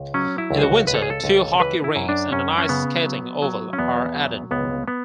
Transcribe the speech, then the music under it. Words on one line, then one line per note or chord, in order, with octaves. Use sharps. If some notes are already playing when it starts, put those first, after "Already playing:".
In the winter two hockey rinks and an ice skating oval are added.
Already playing: C#2
F#3 C#4
E4
C#2
G#4
F#4
C#2 B4
A4
G#4
A4
C#2
E3 B4
E4
F#2
D4
F#2 C#4
C#4
C#3 B3
F#3
F#3
C#4
E2 B3
F#3
C#2 B3
B3